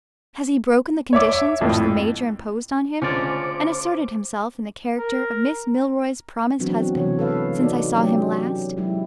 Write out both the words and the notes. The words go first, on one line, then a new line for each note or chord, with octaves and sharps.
Has he broken the conditions which the major imposed on him, and asserted himself in the character of Miss Milroy's promised husband since I saw him last?
C#5 E5 D6
E5
G#1 F2 A2
D2 C#3 G#3 C#4 F4 C5 D5 D6
A#4
E3 F#3 B3 C4 D4 F#4
C3 E3 C#5
G#3 A4 B4 F5
D#4 F#4 D5
F#3 C#4 G4
F#3 G#3 E4 G4